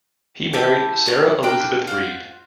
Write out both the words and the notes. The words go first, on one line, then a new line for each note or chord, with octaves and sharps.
He married Sarah Elizabeth Reed.
E4 G4 A5 D6
D4 F#4 C#5
D4 A#4 G5 F#6
F4 F#4 C5